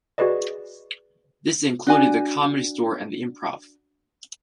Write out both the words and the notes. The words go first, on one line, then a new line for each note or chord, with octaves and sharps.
This included The Comedy Store and The Improv.
F#4 G#4 B4 D5 D#5
D4 F#4 G#5